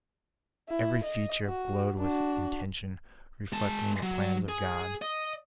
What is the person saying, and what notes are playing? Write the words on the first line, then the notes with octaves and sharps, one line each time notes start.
Every feature glowed with intention, reflecting the plans of God.
E4
D#5
F#4
D4 F#4
G#3 A5
F#3
G#4
D#5